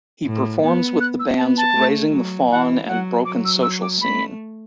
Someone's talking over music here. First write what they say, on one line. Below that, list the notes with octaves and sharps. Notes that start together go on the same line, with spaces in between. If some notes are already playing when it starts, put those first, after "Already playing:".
He performs with the bands Raising the Fawn and Broken Social Scene.
A2
B3
F#6
E6
B3 A5
A5
A3
F#3
E3 F#5
F#3 F#5
F#3 D6
E6
E6
D6
A3 B5